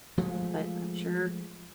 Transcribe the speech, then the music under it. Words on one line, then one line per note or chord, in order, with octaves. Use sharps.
But I'm sure
F3 G#3 A3